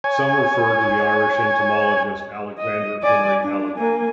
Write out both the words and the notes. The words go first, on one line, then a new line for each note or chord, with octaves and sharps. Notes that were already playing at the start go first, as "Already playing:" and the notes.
Some refer to the Irish Entomologist Alexander Henry Haliday.
C#5 G#5
D#5
D5 G#5
D4
A#3 G#5